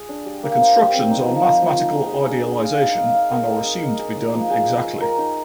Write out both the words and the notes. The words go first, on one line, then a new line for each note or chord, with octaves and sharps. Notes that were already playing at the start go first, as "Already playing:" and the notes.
The constructions are a mathematical idealization and are assumed to be done exactly.
Already playing: F4 G#4
D4
G3
A#3
C5
G4
C4
D#4
F3
F3
F3
D#4
G#4
G#4
D4
G#4
F5
D#4
F5
F5
A#4
D#5
D#4
D#5
G#4
D#4
F3
G#4
D#5
D#5
A#4
D#4